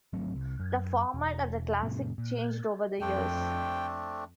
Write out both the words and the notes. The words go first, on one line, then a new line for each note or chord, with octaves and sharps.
The format of the Classic changed over the years.
G#1 F#3 A3 C4
C2
F#2
E1
F#2 A#2 C#3
A#2
F2 A3 C4 D4 G5